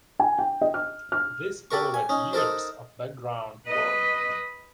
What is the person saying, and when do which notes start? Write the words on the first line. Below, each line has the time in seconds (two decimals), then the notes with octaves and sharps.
This followed years of background work.
0.19 G#5
0.39 G5
0.61 D#5
0.74 F6
1.12 F6
1.71 G4 A4 A#4 C#6
1.94 G#5
2.09 C#4 D#4
2.33 D#4 A4 A#4 C5
3.67 B4 D#5